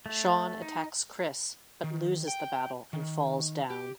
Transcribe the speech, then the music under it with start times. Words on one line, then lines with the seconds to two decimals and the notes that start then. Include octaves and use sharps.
Sean attacks Chris, but loses the battle, and falls down.
0.06 A3
0.62 D#4
1.84 D#3
2.28 G5
2.93 D#3
3.70 G4